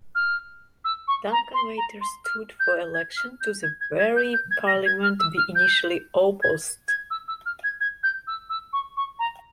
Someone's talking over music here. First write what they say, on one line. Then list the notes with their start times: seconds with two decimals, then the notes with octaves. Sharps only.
Duncan later stood for election to the very parliament he initially opposed.
0.15 F6
0.84 E6
1.07 C#6
1.32 A#5
1.54 C6
1.77 A#5
2.01 C6
2.24 F6
2.59 G6
2.94 G#6
3.16 F6
3.40 G6
3.63 G#6
3.80 G#6
3.98 G#6
4.16 G6
4.33 G6
4.50 G#6
4.67 A#6
4.85 G#6
5.03 F6
5.19 E6
5.37 F6
5.55 G6
6.42 G#6
6.88 G#6
7.10 E6
7.28 E6
7.45 F6
7.63 G#6
7.80 G#6
8.03 G6
8.27 E6
8.49 E6
8.73 C#6
8.96 C#6
9.19 A#5